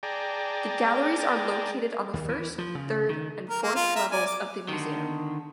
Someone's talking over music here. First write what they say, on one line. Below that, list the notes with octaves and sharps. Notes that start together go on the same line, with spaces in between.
The galleries are located on the first, third and fourth levels of the museum.
G#4 D5 G5 A5 A#5
D#2
E3
F3
C#3
D#3
A#4
A#3
F4
E5 A#5
D5 G#5
D6
D3 D#3